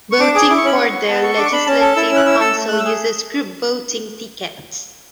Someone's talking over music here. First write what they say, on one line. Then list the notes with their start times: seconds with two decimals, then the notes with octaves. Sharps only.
Voting for the legislative council uses group voting tickets.
0.11 C#6
0.20 D4 D6
0.34 G#4 D6
0.50 E4 D6
0.57 C#6
0.64 C#4 B5
0.74 B3 C#6
0.93 B3
1.08 B3 A5
1.23 A4 C#6
1.37 D4 D6
1.45 C#6
1.52 D4 B5
1.66 C#4 A5
1.81 A4 A5
1.96 E4 E6
2.06 C#4 E6
2.16 F#6
2.25 E4 E6
2.40 A4 E6
2.55 A3
2.68 A3 F#6
2.80 G#4 E6